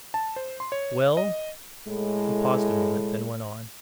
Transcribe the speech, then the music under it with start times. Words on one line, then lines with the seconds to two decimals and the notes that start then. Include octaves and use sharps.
Well!' he paused a moment, then went on.
0.14 A5
0.36 C5
0.60 C6
0.72 C#5
1.17 D#5
1.88 A2 G#3